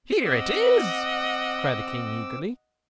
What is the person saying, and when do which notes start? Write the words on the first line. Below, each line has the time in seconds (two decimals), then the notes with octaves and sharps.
"Here it is," cried the King eagerly.
0.24 C4 D#5 F#5 D6 E6